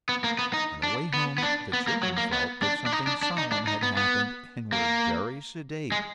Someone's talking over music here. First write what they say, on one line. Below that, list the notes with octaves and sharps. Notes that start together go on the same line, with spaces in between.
On the way home the children felt that something solemn had happened, and were very sedate.
B3
A#3
B3
D#4
D4
B3
B3
D4
B3
A#3
F#3
A#3
B3
D4
D4
D#4
D4
D4
D#4
D4
D#4
B3
B3
A#3
G#3